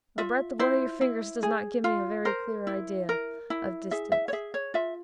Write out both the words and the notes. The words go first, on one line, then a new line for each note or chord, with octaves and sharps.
The breadth of one of your fingers does not give me a very clear idea of distance.'
F4 E5
E4 C5
E4
G#4
F4
A#4 C5
E4
A#4
E4
G#4 E5
E5
C#5
G#4 E5
C#5
F4 E5